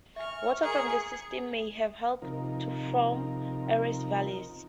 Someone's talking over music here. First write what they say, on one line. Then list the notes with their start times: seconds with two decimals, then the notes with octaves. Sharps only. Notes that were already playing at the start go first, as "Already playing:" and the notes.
Water from this system may have helped to form Ares Vallis.
0.16 E5 G#5 C#6 F6
0.63 G#4 A#4 G#5 A#5 C#7
2.22 C3 F3 D#4 A#4